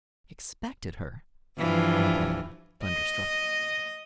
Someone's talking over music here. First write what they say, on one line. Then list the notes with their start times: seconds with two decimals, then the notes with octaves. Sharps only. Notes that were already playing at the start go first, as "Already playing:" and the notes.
"Expected her!" cried Diana, thunderstruck.
1.57 G2 E3 F3
2.84 D#5